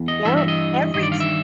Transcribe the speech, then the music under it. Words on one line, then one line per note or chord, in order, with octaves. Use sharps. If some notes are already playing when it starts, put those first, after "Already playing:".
Yep, every
Already playing: E2
D#5
G2 E3 E5
E5
D#5
G2 D#3 D#5
D5
F5
E5